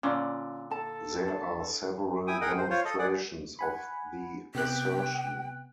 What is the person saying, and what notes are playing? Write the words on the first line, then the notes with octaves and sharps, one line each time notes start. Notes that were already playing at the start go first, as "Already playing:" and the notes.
There are several demonstrations of the assertion.
A#2 D3 C#4 F4 D5
D#4 A4 A5
D4
E4 G5 G#5 D#6
G#4 A#4 D#5 F#5 G5
C5
F4 C5 C#5
A4 D#5
G#4 D5 F#5
F#5 G#5 B5
C3 B3 G5 F#6